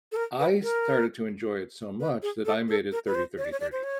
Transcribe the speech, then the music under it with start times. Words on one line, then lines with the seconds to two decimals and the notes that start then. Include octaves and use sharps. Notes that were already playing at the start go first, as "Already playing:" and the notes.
I started to enjoy it so much that I made it thirty, thirty, thirty.
0.12 A4
0.16 A#4
0.39 B4
0.63 A#4
2.00 B4
2.22 G#4
2.45 A4
2.68 A4
2.92 A#4
3.07 B4
3.15 C5
3.38 C#5
3.45 D5
3.52 C#5
3.60 D5
3.72 C5
3.83 C#5